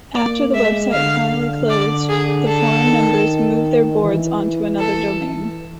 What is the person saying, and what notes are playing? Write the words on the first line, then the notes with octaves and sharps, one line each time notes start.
After the website finally closed, the forum members moved their boards onto another domain.
A#3 D5
G#3 E5
D3 F5
D5
G#4
D3 A4
D#3
E3
A4